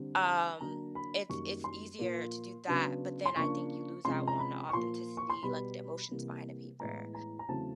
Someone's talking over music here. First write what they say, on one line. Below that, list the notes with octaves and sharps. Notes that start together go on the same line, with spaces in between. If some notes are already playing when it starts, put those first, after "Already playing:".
Um, it's it's easier to do that, but then I think you lose out on the authenticity, like the emotions behind the paper.
Already playing: D3 G3 C4
A#5
A5
D3 F#3 A#3 D4 A#5
B5
F#2 D#3 G3 A#3 C#6
C6
A#2 F3 A#3
C#3 F#3 B3 D4
C6
C#3 F3 A#3 D4 C#6
C3 F3 G#3 C#4 C6
A#5
B5
C#6
A#2 F3 A#3 C6
C#6
C6
B2 G3 B3 B5
C3 E3 G3 A#3
A2 E3 G#3 B3 A#5
A#5
A#5
E2 C#3 F#3 A3 C4 A5